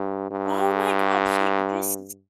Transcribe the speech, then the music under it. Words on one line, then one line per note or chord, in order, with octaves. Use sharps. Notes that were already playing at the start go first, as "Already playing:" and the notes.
Oh my god, she this is
Already playing: G2
G2